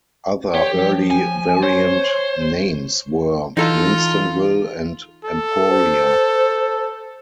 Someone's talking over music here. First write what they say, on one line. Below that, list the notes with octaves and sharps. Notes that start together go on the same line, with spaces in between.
Other early variant names were "Winstonville" and "Emporia".
G4 C#5
F3
G#5
C5 C#5
E3 D#4 F4 A4
A4
C5